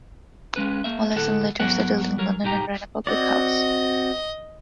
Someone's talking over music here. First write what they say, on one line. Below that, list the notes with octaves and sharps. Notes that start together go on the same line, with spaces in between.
Mollison later settled in London and ran a public house.
G#3 C#4 B4
A#3 E5
D2 A2 A4 F#5
G#2 F#3 B3 A#4 F#5
F#3 A#4 C#5
B1 G#2 D#4 G4 G5 A#5
C4 F#4 D5 D#5